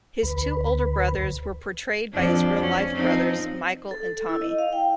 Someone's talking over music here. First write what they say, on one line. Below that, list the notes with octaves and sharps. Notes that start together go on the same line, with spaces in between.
His two older brothers were portrayed by his real-life brothers, Michael and Tommy.
D2 B4
F2 F3 D4
C#4
F3 C4 D#4
A4
E4
D#5
F5
G5